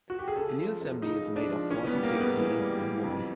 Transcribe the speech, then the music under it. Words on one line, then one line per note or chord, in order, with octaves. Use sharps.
The new assembly is made of forty-six men and one woman.
F#4
G4
G#4
C#3 A4
F3
F#2
C#3 D#4
G#3
D4
F3
E3 C#4
B3
G3
A#3
G#2
B3
E3
G3
E3
F2